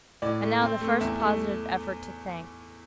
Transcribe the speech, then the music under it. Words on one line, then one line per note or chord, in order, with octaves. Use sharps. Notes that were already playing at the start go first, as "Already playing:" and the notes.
And now the first positive effort to think.
A2 D5
A3
C4
A3
E2 E5
A3